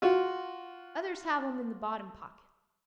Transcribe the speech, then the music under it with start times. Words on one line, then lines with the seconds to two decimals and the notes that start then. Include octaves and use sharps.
Others have 'em in the bottom pocket.
0.02 F4 F#4